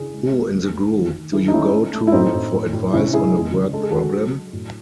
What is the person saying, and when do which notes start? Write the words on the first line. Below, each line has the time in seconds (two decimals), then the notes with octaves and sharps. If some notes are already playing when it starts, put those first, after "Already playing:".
Who in the group do you go to for advice on a work problem?
Already playing: C#3 E4 G#4
0.14 G#3
0.32 G#3
0.53 A3
0.72 A3
0.93 D#3
1.14 D#3
1.33 D#3 E4 G#4
1.48 D#4
1.52 A3 C#4 E4
1.73 A3
1.93 A3
2.07 E4
2.12 A2 C4 D#4
2.34 A2
2.53 A2
2.73 A2
2.93 C3 C#4 E4
3.13 G#3 E4 G#4
3.34 G#3
3.53 C#3
3.73 G#3 A4
3.83 G#4
3.91 G#3 F#4 A4
4.13 F#3
4.33 F#3
4.53 A2